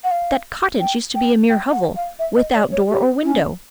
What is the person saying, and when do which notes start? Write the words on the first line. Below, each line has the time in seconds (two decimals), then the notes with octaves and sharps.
That cottage used to be a mere hovel, without door or window!
0.04 F#5
0.11 F5
0.80 G5
1.15 G5
1.50 G5
1.72 F#5
1.96 F5
2.19 E5
2.36 D#5
2.55 D5
2.72 C#5
2.89 G4
3.24 C#4